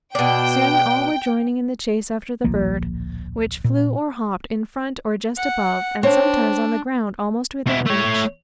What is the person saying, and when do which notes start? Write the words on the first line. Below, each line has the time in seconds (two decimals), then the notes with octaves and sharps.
Soon all were joining in the chase after the bird, which flew or hopped in front or just above, and sometimes on the ground almost within reach.
0.15 B2 D4 G5
2.44 D1 A#1 F3 A#3
3.64 A#2
5.37 F#5
6.03 C4 D4 C#5
7.67 B2 E4
7.86 A3 C#5